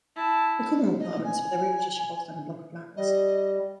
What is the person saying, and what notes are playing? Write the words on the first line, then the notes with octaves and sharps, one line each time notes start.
They call them apartments but they're really just your bog-standard block of flats.
E4 A5
D#5
G#5
G3 D#5